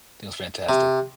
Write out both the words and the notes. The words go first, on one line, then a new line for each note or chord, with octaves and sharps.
It was fantastic.
C3